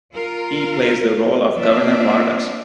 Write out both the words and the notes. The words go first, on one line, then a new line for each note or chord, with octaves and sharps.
He plays the role of Governor Vargas.
F4 A#4
A#3 C4 D4 F4 D5 E5